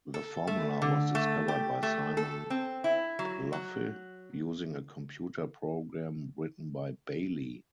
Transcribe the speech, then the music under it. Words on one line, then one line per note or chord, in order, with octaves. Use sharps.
The formula was discovered by Simon Plouffe using a computer program written by Bailey.
A4
A3
D3
A3
G4
A3
A4
C4
E4
F#3
F#3